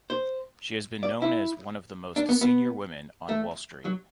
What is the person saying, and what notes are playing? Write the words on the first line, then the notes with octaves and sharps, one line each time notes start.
She has been known as one of the most senior women on Wall Street.
C5
D5
E4
D4
B3
B3
A3
F#3